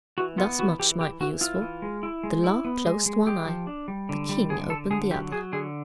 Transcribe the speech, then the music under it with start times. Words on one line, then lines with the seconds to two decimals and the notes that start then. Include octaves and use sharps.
Thus much might be useful--the law closed one eye, the king opened the other.
0.18 E3 F#4
0.38 B3 F4
0.59 E3 F#4
0.79 E3 G4
1.00 E3 G4
1.21 E3 F#4
1.41 E4 F4
1.62 E3
1.82 G#3
2.03 E4
2.23 G#3
2.44 E4
2.65 B3
2.85 G#3
3.06 G#3
3.26 G#3 G4
3.47 F3
3.67 D4
3.88 G3
4.09 D3
4.29 G3
4.49 D3 G#4
4.70 D3 A4
4.91 D3 G#4
5.11 F#3 G4
5.32 F#3 G#4
5.53 D3 G#4